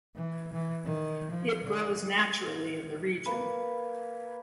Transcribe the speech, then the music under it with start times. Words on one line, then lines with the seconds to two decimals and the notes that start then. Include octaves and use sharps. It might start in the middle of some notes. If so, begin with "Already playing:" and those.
It grows naturally in the region.
0.15 E3
0.53 E3
0.85 D#3
1.31 F3
1.64 D3
3.26 A#3 B4